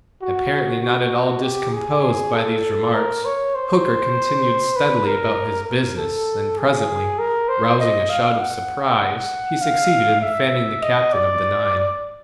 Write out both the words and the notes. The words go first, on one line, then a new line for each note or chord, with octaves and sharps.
Apparently not at all discomposed by these remarks, Hooker continued steadily about his business, and presently, rousing a shout of surprise, he succeeded in fanning the captain of the nine.
F#4
F#4
G4
G#4
A4
A#4
C#5
C5
B4
A#4
A#4
A4
G#4
A#4
C5
D#5
F5
F#5
F#5
F5
E5
D#5
D5